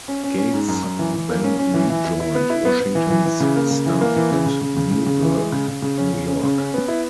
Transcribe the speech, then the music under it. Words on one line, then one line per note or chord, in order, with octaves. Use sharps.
Gates then rejoined Washington's staff at Newburgh, New York.
C#4
C#4
C#4
G#2
F#2
F#2
E3
E3
A#3
C#4
C#4
E3
E3
E4
E4
B3
E4
B3
B3
E3
E3
E3
C#3
A#3
C#3
E3
A#3
E3
C#3
C#3
C#3
C#3
C#3
C#3
E3
G#3
C#3
C#3
C#3
C#4
C#3
C#4
C#3
C#4
B3
E4